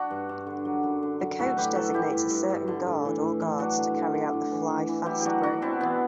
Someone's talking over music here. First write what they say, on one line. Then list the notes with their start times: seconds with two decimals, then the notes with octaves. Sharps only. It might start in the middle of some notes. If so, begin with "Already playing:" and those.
The coach designates a certain guard or guards to carry out the Fly fastbreak.
Already playing: D4 F#4
0.11 G2
0.29 G2
0.47 D3
0.65 F#3
0.84 F#2
1.03 D3
1.20 F#3
1.39 A2 F#4 A4
1.57 F#3 G4 B4
1.75 F#3 F#4 A4
1.94 A2 E4 G4
2.12 G2
2.30 G2
2.50 G2
2.68 D3
2.87 A2
3.05 E3
3.22 A2
3.41 E3
3.59 F#3 D4 F#4
3.78 D3
3.96 D3
4.15 D3
4.33 A2
4.51 E3
4.70 E3
4.88 E3
5.06 F#3 E4 G4
5.21 F#3 D4 F#4 G4
5.43 F#3 D4 F#4
5.62 B2 C4 E4
5.80 E3 B3 D4